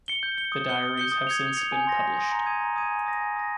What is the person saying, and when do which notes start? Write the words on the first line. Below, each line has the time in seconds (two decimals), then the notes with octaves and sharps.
The diaries have since been published.
0.08 C#7 G7
0.23 G6
0.38 C#7 G7
0.52 D#6
0.68 G6 C#7 G7
0.83 D#6
0.98 G6 C#7 G7
1.12 D#6
1.27 G#6 C#7 F7
1.42 D#6
1.57 G#6 C#7 F7
1.72 G#5
1.87 C6 D#6 A#6
2.02 G#5
2.17 C6 D#6 A#6
2.32 A#5
2.46 D#6 G#6 D#7
2.61 A#5
2.76 D#6 G#6 D#7
2.91 G#5
3.06 D#6 A#6
3.21 G#5
3.36 D#6 A#6